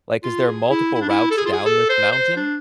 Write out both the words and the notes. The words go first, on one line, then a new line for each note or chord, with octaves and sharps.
like, 'cause there are multiple routes down this mountain,
F4
G#4
E4
E4
D4
E4
A4
G#4
F4
G#4
A4
C5
C5
D4